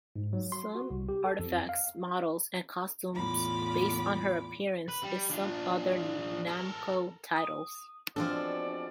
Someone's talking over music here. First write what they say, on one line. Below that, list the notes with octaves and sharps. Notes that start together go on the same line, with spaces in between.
Some artifacts, models and costumes based on her appeared in some other Namco titles.
G#2
F#3
C6
F#4
C2
G4
A4
F2
F5
E2 A2 F4 B5 D6
B4
G3
D4 F4
A4 A#4
D#6
B2 F3 C4 D4 G#4 A4 D5